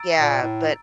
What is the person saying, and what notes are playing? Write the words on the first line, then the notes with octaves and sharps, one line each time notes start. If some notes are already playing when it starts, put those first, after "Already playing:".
Yeah, but
Already playing: A#5 E6 A6 D7
A#2
A2